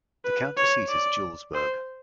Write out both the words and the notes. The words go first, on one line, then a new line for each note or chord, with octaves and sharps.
The county seat is Julesburg.
B4
C#5
D5
C5